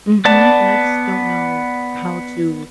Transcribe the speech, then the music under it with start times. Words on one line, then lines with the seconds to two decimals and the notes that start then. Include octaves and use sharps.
Mhm, and I just don't know how to
0.25 B3 D5 A5